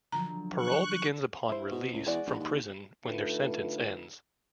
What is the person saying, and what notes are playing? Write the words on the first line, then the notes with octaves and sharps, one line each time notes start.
Parole begins upon release from prison when their sentence ends.
D3 F3 F#3 A#5
C#6 F#6
E4 C5
B2
C#2
E2 G#3 F#4 D5
A#1
D#2
D3 A3 D#4 F4 B4